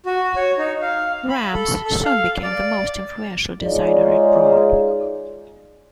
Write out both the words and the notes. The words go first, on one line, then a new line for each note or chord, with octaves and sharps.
Rams soon became the most influential designer at Braun.
F#4
C#5
D#4
F5
B5
A4
A4
F5
D5
G#3 D#4 F4 G#4 C#5 D5